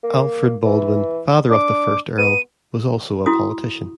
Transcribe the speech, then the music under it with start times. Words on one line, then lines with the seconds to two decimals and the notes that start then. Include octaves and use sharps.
Alfred Baldwin, father of the first Earl, was also a politician.
0.04 A#3
0.65 E3
1.50 D4 D6
2.18 B3 D#7
3.26 E4 F#4 D#6